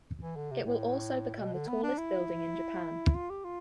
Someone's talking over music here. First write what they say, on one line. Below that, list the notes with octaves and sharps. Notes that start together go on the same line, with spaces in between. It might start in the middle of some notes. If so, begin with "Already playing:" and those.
It will also become the tallest building in Japan.
E3
D3
C3
A2
A2
B2
D3
B3
D4
E4
F4
G4
F4